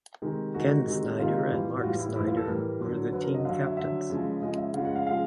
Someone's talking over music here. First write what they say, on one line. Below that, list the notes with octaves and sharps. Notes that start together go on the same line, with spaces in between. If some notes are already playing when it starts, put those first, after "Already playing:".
Ken Snyder and Mark Snyder were the team captains.
C3 D#3 G#3
C3 D#3 G#3 F#4
C3 D#3 G#3
C3 D#3 G#3 F4
A2 E3 G3
F#4
A2 E3 G3 F4
E4
A2 E3 G3 E4
F4
A4
A2 E3 G3 A#4
D3 F#3
D3 F#3 B4
A#4
D#5
D3 F#3 F5
E5
D3 F#3 E5
C#3 F3 G#3
C#3 F3 G#3 D#5
E5
C#3 F3 G#3 F5
F#5
F5
C#3 F3 G#3 F5